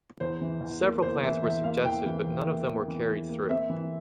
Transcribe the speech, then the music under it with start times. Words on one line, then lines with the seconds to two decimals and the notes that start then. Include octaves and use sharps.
Several plans were suggested, but none of them were carried through.
0.20 E2 C5
0.41 E3
0.61 E2
0.82 A#3
1.02 E2 C5
1.23 E3 E5
1.43 E2 E5
1.64 A#3 F5
1.84 E2 G5
2.06 E3
2.26 E2
2.46 A#3
2.68 E2
2.88 E3
3.08 E2
3.29 A#3
3.49 C4 E5
3.70 E3